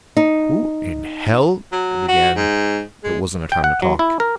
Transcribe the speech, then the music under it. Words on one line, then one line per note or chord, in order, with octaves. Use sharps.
"Who in Hell ..." I began; but it wasn't a time to talk.
D#4
F#3
F#4
G#2
G#3
G5
F#5
F#3
E4
A#4